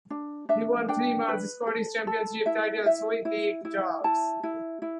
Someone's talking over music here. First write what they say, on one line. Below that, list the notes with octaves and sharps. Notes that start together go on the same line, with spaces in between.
He won three more Scottish championship titles with the Gers.
D4
D4 E5
D4 G5
B4
A4
A4
E4 E5
E4 E5
E4
E4
E4 A5
E4
E4